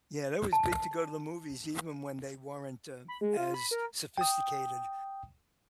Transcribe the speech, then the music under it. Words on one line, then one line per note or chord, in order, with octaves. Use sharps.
Yeah, that was big to go to the movies even when they weren't, uh, as sophisticated
A5
B5
G#3
F4
B5
A#4
G5 D#6